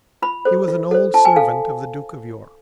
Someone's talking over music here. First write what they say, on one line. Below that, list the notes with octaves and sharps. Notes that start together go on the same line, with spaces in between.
He was an old servant of the Duke of York.
F4 B5
A4 C5
F4
A4 C5
F4 A5
G#5
A4 F5